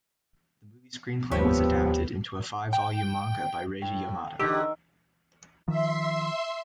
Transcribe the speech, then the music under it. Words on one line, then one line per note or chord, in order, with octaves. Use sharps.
The movie screenplay was adapted into a five volume manga by Reiji Yamada.
F1 D#2 F3 B3 G4 C#5 E5
G5
A2 G5
E2 D3 D#3 G4 A#4 E6
D#3 F3 E5 C6